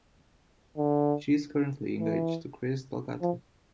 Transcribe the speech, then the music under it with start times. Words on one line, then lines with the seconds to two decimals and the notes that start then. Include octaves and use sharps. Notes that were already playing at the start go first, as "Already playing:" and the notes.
She is currently engaged to Chris Delgatto.
0.78 D3
1.99 E3
3.21 F3